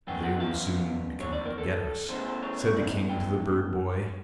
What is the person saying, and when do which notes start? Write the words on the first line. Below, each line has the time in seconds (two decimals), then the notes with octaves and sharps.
"They will soon be coming to get us," said the King to the bird-boy.
0.07 C#3 F#3 B3 G5
0.23 F#5
0.40 F5
1.20 C#5
1.33 D5
1.45 A#4
1.58 A4
2.09 E2 C#3 E3 A3 C5
2.26 C5
2.42 C#5
2.59 C#5
2.76 D5
3.09 G5